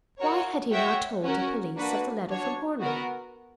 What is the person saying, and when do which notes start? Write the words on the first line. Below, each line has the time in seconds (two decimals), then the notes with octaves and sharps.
Why had he not told the police of the letter from Horner?
0.18 F#4 A#4 C#5
0.71 F#4 C#5 E5 G5
1.24 C#4 F#4 A#4
1.76 A#3 D4 F#4 B4
2.29 D4 F#4 C#5
2.81 B3 F#4 A#4